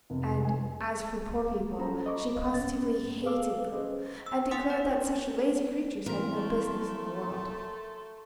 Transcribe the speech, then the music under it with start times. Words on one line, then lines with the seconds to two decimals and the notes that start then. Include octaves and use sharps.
And as for poor people she positively hated them, and declared that such lazy creatures had no business in the world.
0.10 F1
0.45 G#5
1.79 C#4 F4 A4 C5 A#5 B5
2.06 D#5 C#6 D6
2.36 B4 D#5 F5
2.54 G#2 C#4 A6
3.24 G#4 A4 C5 F5 D6 E6
3.72 C#4 G#4 B4 C5 D#5
4.26 E6
4.51 D#4 F#5 G#5 C6 D#6 B6
4.70 D#4 D5
6.06 E3 A#3 C4 A#4 C6
6.35 A3